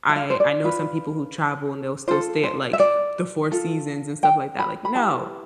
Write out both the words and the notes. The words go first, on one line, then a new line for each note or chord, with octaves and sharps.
I I know some people who travel and they'll still stay at, like, the Four Seasons and stuff like that, like, "No,"
E5
F5
C5
D5
F4 B4
F4 A4 C5
C5
E5
D5
F4 A4
G5
B5
B5
E4 G4 B4 A5